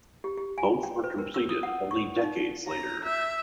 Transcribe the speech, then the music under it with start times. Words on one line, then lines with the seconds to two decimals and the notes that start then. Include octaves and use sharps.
Both were completed only decades later.
0.24 G4
0.38 G4
0.58 G#5
0.83 G5
1.04 B4
1.18 A#4
1.34 E6
1.49 D#6
1.63 F#5
1.91 C#6
2.22 D#4
2.68 A#5
3.04 E5